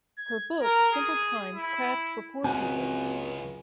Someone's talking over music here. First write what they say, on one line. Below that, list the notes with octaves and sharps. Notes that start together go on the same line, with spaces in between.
Her book, Simple Times: Crafts for Poor People!
G#6
A#4
G#4
E4
C#2 F#2 C#3 C4 F#4 F#5 G#5